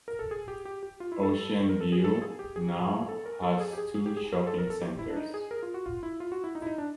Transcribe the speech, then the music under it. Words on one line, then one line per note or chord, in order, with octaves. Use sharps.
Ocean View now has two shopping centers.
A#4
A4
G#4
G4
G4
G4
F4
E4
A4
A#4
A4
G#4
A4
G#4
G4
G#4
A4
A#4
A4
A4
G#4
G4
G#4
G#4
G4
G#4
A4
A#4
A4
G4
E4
D4
D#4
G#4
A#4
F4
F#4
F4
E4
F4
F#4
E4
D#4
E4
D#4
D4